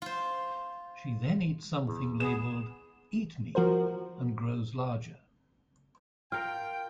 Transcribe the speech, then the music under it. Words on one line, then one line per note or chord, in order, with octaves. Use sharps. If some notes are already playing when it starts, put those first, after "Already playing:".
She then eats something labeled "Eat me" and grows larger.
F4 C5
E2
B3 G#4 E7
F3 F#4 A#4 C5
F4 A#4 G5 F6